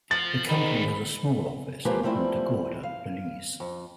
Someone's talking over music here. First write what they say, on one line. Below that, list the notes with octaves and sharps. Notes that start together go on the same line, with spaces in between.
The company has a small office in Punta Gorda, Belize.
F3 A6
G#2 D#3 G3 D#4 B5
F3 G#3 A#3 F4 G4 B4
F3 G3 A3 C4 E4
F5
F2